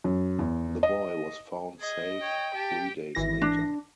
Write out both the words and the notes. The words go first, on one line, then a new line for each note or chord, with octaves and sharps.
The boy was found safe three days later.
F#2
E2
D#5
G#4 D#5
C#5 G5
G4 A5
G#1 E3 A#6
D4